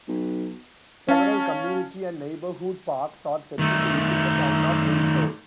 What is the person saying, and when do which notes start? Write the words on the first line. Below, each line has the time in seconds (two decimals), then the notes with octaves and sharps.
Several community and neighborhood parks are settled within the Town of Windsor.
0.08 B1
1.09 C#4 F5 A5
3.59 D#3 A3